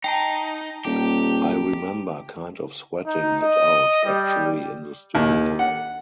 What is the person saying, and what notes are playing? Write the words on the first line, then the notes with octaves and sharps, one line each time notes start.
I remember kind of sweating it out actually in the studio.
D#4 G5 A5 A#5
D#1 G4
D#4
D#5
G3
D#2
F#5